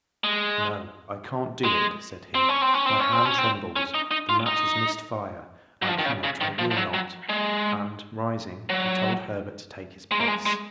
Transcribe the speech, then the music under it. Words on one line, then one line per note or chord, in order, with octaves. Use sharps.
"No, I can't do it," said he, "my hand trembles, the match has missed fire; I cannot, I will not!" and rising, he told Herbert to take his place.
G#3
G#3
C4
C#4
C4
C#4
C4
C#4
C4
C#4
C4
C#4
D#4
D#4
F4
D#4
F#3
F3
D#3
C#3
C#3
D#3
F3
F3
F#3
F#3
G#3
F#3
G#3
A#3
G#3
G#3